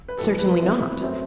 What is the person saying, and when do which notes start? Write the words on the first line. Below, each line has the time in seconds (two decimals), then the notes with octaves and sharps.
"Certainly not."
0.09 B4
0.18 E2 B2 G3 A4
0.39 B4
0.59 C3 E3 A3 C4
1.01 F#2 F#3 A3 C4